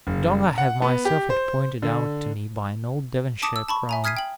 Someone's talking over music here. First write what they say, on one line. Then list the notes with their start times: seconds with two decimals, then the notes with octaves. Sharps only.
The dog I have myself had pointed out to me by an old Devonshire crone.
0.07 F#1
0.58 F#5
0.82 B3
1.05 G4
1.30 C5
1.82 D3
3.42 A5 D6 D#6 E7
3.56 E6
3.68 A5 B5 C#6
3.89 E5 G#5 A#5
4.04 D#6 F6 G#6 B6 C7 D#7
4.17 G5 F#7